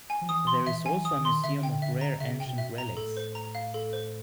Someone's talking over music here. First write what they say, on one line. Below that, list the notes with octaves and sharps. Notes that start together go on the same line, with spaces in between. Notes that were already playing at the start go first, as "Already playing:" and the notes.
There is also a museum of rare ancient relics.
G#5
F3
E3 D#6
C6
E3 E5
G#5
E3
D#6
D3
D#3
C6
D3 E5
G5
E5
A#5
C#3 E5
G5
B2
E5
A#2
A#5
A2 A4
C5
A#5
F5
A4
C5